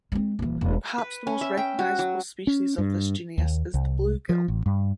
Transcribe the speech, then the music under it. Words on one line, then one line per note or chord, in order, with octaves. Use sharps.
Perhaps the most recognizable species of this genus is the bluegill.
G#3 C4
D#1 E3
E1
B4
C#4
E5
G5
F#4
F#3
C#4
G2
D#2
C2
F3
A1
G2